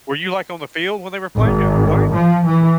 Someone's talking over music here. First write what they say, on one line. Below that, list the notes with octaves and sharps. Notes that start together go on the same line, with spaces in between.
Were you, like, on the field when they were playing it playing?
G#1
F3
E3